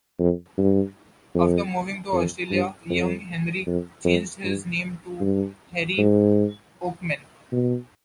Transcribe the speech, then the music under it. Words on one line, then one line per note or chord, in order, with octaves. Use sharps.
After moving to Australia, young Henry changed his name to Harry Oakman.
F2
G2
F2
F2
G2
F2
F2
F2
G2
G2
G#2
B2